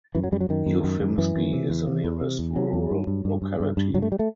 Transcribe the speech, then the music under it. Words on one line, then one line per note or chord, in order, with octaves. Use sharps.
Ufimsky is the nearest rural locality.
F#2 E3
F#3
F#2 G3
F#3
F#2 D#3
F#2
F#2
F#2
F#2 E3
F#2
C3
E2
C3
E2
C3
E2
C3 F#3
E2
G2
G2
G2
G2
G2
G2
G2 F#3
A3
G3
A3